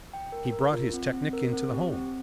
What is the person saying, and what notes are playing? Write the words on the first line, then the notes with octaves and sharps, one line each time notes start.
He brought his technic into the home.
G5
A#4
A#4
F4
C4
C4
A#4
C4
G4
C4